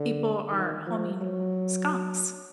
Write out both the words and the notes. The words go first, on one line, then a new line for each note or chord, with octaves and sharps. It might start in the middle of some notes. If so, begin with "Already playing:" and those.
people are homing skunks.
Already playing: D3
D#3
F3
F#3